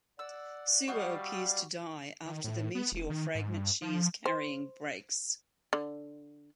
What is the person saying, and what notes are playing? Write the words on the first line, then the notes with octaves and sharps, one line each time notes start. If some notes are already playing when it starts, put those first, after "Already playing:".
Suo appears to die after the meteor fragment she is carrying breaks.
D5 F#5 E6
G3 C4 F#4 D5 D#5 F5 C#6
D#3
A2
B3
E1
D#3
G#2
G2
F3
C5
D3